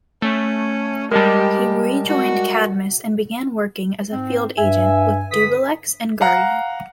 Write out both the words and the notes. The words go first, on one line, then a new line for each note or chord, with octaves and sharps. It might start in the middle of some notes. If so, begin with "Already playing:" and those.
He rejoined Cadmus and began working as a field agent with Dubbilex and Guardian.
A3 C#4
G3 G#3 G4 A#4 D#5 A5
F#4
G#2 C4
G2 E5 G#5
D3 B4 D#6 B6
F5 F#5 A#5